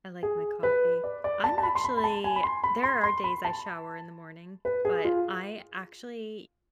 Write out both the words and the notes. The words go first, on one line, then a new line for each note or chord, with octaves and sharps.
I like my coffee. I'm actually there are days I shower in the morning, but I actually
G#4
B4
D5
D5
A5
A5
B5
C6
B5
B5
A5
G#5
B5
C6
B5
C6
C6
B5
A5
B4
G#4
F4